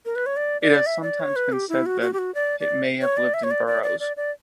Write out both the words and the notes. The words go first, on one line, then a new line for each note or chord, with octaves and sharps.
It has sometimes been said that it may have lived in burrows.
A#4
B4
C#5
D5
D5
E5
D5
C#5
B4
G4
E4
F#4
F#4
G4
F#4
D5
D5
C#5
D5
E5
C#5
D5
D5
D5
D5
D5